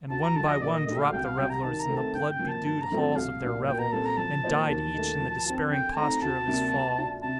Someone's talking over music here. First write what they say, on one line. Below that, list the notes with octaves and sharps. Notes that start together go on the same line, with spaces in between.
And one by one dropped the revellers in the blood-bedewed halls of their revel, and died each in the despairing posture of his fall.
D2 A5
A#5
D3 F3 A5
D#5
A#2 D5
D#5
A3 D4 G4 D#5
F5
C2 G5
F5
C3 G3 G5
A#5
D#3 A5
A#5
A3 C4
A5
G2 G5
G5
F3 A#3
A5
G2 A5
A#5
D3 F3 A3 C4
A5
C2 F5
A#2 G3 D4
A#2 G5
A#5
G3 C4 F4 A4 A5
A#5
F3 A5
A#3 F4 C5 D#5
D#2 A5
D#3 A3
F3
C4 F4
D3 G5
A3 C4 D#4 A#5
D2 A5
C3 G3 A#3 D4
G3
D4 F4
C3 A5